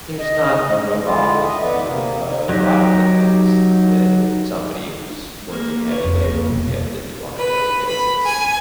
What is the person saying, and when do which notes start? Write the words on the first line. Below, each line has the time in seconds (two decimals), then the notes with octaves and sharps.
there's not a robot that can do a lot of the things that somebody who's working heavy labor would be able to do on a daily basis.
0.19 D#5
1.04 D3 G#3 E4 F4
1.43 D#5 E5
1.60 F2 B3 B4 D5 E5
1.83 C3 A#3
2.49 F#3 D#4 G4
5.52 A#3
5.90 B4 C#5
6.04 F2
6.23 F2 A#3
6.48 E2 G2 B2
7.36 B4
7.88 B5
8.23 G#5